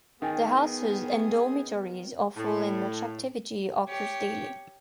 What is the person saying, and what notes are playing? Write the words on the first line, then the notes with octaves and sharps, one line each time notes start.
The houses and dormitories are full and much activity occurs daily.
D#3 B3 G#4 G5 G#5 A6
A2
G4 C#5